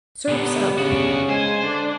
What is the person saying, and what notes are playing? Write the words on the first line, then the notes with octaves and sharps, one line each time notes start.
Serfs Up!
A#2 D3 B3 G4
C#3 D4 F#4
G#3 C5 G#5
D3 D4